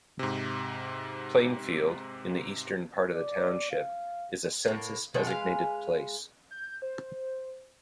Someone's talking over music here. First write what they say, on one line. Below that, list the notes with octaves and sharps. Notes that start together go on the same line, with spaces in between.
Plainfield, in the eastern part of the township, is a census-designated place.
G#2 C3
D5
F5
A2 A#3
B2 D#3 G#3 A3
G#3 B4 F5
G6
C5